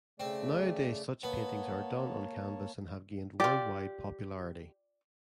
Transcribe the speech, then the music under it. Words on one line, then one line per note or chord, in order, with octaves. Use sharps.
Nowadays such paintings are done on canvas and have gained worldwide popularity.
C#3 A3 C4 D5
A#3 B3 C#5 A5
F4 G4 D5